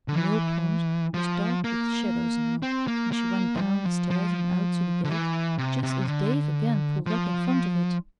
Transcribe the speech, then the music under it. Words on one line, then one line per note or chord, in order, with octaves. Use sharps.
The millpond was dark with shadows now, and she went down the stairs and out to the gate just as Dave again pulled up in front of it.
D3
E3
F3
A#3
C4
A#3
A#3
F3
G3
F3
F3
D3
E3
C3
C3
D3
F3